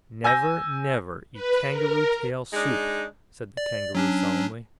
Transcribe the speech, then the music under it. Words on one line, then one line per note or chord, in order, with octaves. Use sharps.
"Never, never eat kangaroo-tail soup!" said the Kangaroo, solemnly.
G#5 E6 G6 A#6
B4
A#4
G#3 D4 D#4
D5
F#3 C#4 D4